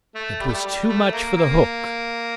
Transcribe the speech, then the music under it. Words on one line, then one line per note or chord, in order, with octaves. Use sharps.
It was too much for the hook.
A3
G3
A3
G3
G3
A3
A#3
A#3